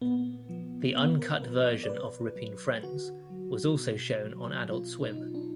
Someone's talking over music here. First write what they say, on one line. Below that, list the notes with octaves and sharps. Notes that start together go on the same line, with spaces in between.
The uncut version of Ripping Friends was also shown on Adult Swim.
A#2 B3
F3
A#2 B3
A#4
F3 B4
D5
D5
B2 B4
F#3
D3 F#4
F#3
B2
F#3
B2 F4
D#4
F#3
D4